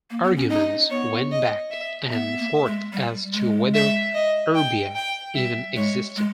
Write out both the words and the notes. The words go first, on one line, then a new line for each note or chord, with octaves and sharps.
Arguments went back and forth as to whether erbia even existed.
A#3
B3
C#4
D#4 D#5
B3 C#5
D#5
E5
B3 E5
A#3
G#3
G3
G#3
E5
D#5
G5
G5
G3 E5
G#3 C#5
G#3